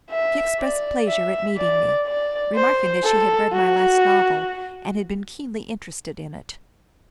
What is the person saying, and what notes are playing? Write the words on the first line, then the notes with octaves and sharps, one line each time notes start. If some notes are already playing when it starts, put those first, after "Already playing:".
She expressed pleasure at meeting me, remarking that she had read my last novel, and had been keenly interested in it.
E5
D5
E5
D5
D5
C5
A4
F#4